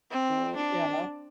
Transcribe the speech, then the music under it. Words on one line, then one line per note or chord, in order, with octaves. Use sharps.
soon, yeah.
C4
D4